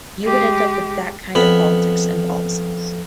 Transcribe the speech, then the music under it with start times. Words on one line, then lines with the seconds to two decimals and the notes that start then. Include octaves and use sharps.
You would end up with that kind of politics and policies.
0.22 G#3 G4
1.35 F2 B3 B5